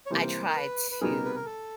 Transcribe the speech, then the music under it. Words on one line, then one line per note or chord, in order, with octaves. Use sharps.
I try to
C#5
C3 E3 G3 A#3 C5
A#4
B4
B4
B2 G3 B3 D#4 G#4 A#4
B4
A#4
A4